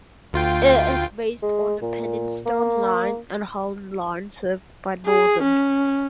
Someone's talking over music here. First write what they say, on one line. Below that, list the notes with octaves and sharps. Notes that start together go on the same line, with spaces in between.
It is based on the Penistone Line and Hallam Line served by Northern.
D2 F4 G5
G#3
A#2
A#3
G#4
C#4